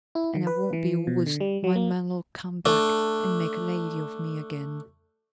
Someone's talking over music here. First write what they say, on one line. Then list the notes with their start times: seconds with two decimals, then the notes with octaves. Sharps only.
And I won't be always; my man'll come back and make a lady of me again.
0.15 E4
0.34 D#3
0.47 B4
0.73 E3
1.07 B2
1.27 D3
1.40 G3
1.64 F#3
1.76 A#3
2.66 A3 D4